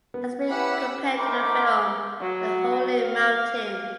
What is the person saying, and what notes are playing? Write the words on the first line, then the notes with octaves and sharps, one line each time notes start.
It has been compared to the film "The Holy Mountain".
B3
C#4 E4 G4 B4 F#5 B5 E6
A3 D#4 A#4 C5 B5 D6
F#3
F5